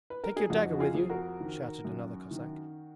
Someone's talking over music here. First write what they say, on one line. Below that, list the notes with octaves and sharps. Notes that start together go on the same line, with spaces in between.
Take your dagger with you!' shouted another Cossack.
B4
A#4
G#4
F2 D#4 F#4
F#4
F4 G#4
F2
F#4 A#4
D#3
F#2
D#3